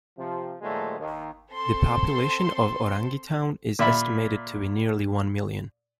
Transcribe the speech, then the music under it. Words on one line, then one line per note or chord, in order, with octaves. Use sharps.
The population of Orangi Town is estimated to be nearly one million.
C3 F3
A#2 D#3 F3 F#3 G#3 A3
D#2 D#3
C4 A4 C5 C6
A#2 E5 B5